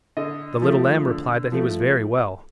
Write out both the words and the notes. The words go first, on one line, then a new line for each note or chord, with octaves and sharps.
The little lamb replied that he was very well.
D3 D#5
F3 A3
D3
F3 A3